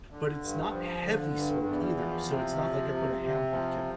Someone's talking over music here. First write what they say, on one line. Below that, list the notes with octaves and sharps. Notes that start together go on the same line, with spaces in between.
but it's not heavy smoke either, so it's not like I put a ham hock in it.
D3
G2
F3
D3
G2
E2
F3
C3
F3
C3
C3
F3